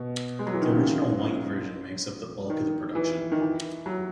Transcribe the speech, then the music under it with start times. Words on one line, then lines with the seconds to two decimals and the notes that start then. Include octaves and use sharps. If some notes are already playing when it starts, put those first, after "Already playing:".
The original white version makes up the bulk of the production.
Already playing: B2
0.39 G#3
0.47 F#3
0.54 E3
0.61 D#3
0.68 C#3
2.50 D#3
2.95 E3
3.32 D#3
3.41 E3
3.86 F#3